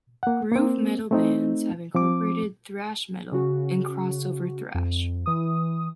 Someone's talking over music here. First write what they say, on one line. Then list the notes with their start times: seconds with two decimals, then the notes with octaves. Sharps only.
Groove metal bands have incorporated thrash metal, and crossover thrash.
0.23 A#3 F#5
0.52 A#3 C4
1.11 A3 C4 D#4
1.95 F3 C4 D6
3.32 C#3 F#4
4.75 F2
5.26 E3 D#6